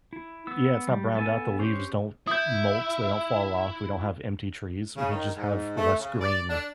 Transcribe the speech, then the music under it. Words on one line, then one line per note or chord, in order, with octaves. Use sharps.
Yeah, it's not browned out, the leaves don't molt, they don't fall of, we don't have empty trees, we just have less green
E4
B3 E6
G3
B3 A4 G#5
C#4 G4 C5
E4 D#6 G6
C#3
D#3
G#2
A3
C#3
D5
D4